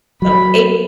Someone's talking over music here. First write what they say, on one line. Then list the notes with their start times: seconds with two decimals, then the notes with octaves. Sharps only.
So a
0.22 F#3 B5